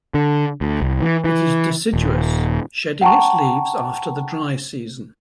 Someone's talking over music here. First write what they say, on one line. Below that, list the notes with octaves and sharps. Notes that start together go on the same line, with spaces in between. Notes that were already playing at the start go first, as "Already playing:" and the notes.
It is deciduous - shedding its leaves after the dry season.
D3
D2
C2
E3
E3
D#1
F#5 G5 A5 A#5 C#6